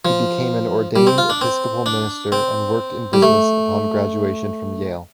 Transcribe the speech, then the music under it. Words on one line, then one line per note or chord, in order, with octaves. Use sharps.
He became an ordained Episcopal minister and worked in business upon graduation from Yale.
F3
G3
C4
F4
D4
C4
D4
C4
G3
A3